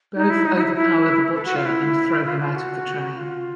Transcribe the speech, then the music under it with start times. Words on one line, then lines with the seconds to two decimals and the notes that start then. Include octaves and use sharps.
Both overpower the Butcher and throw him out of the train.
0.15 D#4
0.30 E4
0.45 D#4
0.56 D#4
0.60 E4
0.75 E4
1.35 A4
1.45 F#4
1.55 F4
1.65 E4
2.25 F4
2.40 F4
2.55 F#4
3.15 F4